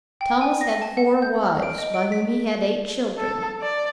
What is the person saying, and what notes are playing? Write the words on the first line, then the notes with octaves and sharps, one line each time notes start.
Thomas had four wives, by whom he had eight children.
G5
G#5
A#6
A5
F#5
G6
F6
D7
D#5
D7
B6
A4
D5